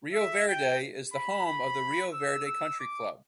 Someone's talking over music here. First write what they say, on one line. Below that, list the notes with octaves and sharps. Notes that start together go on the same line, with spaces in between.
Rio Verde is the home of the Rio Verde Country Club.
E5
G5
B5
B5
E6
E6
D6